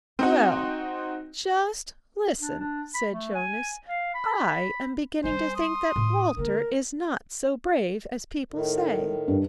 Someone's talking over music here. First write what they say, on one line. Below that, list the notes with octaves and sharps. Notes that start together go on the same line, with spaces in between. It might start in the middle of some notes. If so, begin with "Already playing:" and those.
'Well, just listen,' said Jonas, 'I am beginning to think that Walter is not so brave as people say.
C4 D#4 F#4
D4
D4
B5
A3
G#5
F5
B5
G3 C4 C5 G#5
C6 D#6
A2
D3 A#3 A#4
A2 D#3
G2